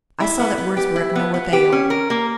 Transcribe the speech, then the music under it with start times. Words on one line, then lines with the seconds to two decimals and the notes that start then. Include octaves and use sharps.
I saw that words were of no avail.
0.20 E4
0.39 B3
0.58 B3
0.77 G4
0.96 E4
1.16 B3
1.34 B3
1.53 G4
1.72 C#4
1.90 A#4
2.10 A#3